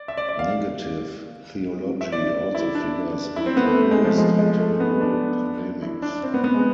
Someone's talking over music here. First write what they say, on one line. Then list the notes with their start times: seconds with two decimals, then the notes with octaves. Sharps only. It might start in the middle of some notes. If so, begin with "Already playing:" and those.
Negative theology also figures in the Buddhist and Hindu polemics.
Already playing: D5
0.08 E5
0.17 D5
0.29 D5
0.39 F5
2.01 E5
2.12 D5
2.55 E4
2.75 D4
3.36 E4
3.46 C4
3.57 B3
3.67 A3
3.78 A3
3.91 G#3
4.05 F3
4.18 G#3
4.39 G#3
4.59 A3
4.80 B3
5.01 D4
5.82 E4
6.02 D4
6.23 C4
6.34 B3
6.44 B3
6.54 G#3